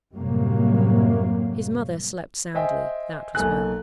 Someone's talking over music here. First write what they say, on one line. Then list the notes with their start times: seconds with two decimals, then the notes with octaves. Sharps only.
His mother slept soundly: that was well.
0.14 F#2 A2 C3 F#3 G3 A#3
2.54 C5 D#5 E5 G5 G#5
3.35 B1 A#3 A4 G#5 F#6